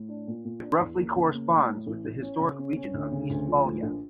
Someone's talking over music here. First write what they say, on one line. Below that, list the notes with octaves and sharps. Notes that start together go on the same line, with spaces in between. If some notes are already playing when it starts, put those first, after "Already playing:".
It roughly corresponds with the historic region of Eastphalia.
Already playing: A2
D4
A#2
A#2
D4
E2
A#3
C#3
A#3
A2
A2
A1
A1
C#4
C#3
C#4
C#4
D2
C#3
D2
F3
A2
A#1